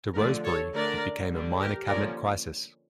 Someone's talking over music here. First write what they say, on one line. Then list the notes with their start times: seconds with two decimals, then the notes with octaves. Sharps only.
To Rosebery it became a minor cabinet crisis.
0.15 D3 F3 A3 A#4 D5
0.44 A4 C#5
0.73 D3 A3 D4 A#4 D5
1.31 D3 G3 D4
1.59 G4 A#4
1.88 D3 F3 A#3 C#4 A#4 D5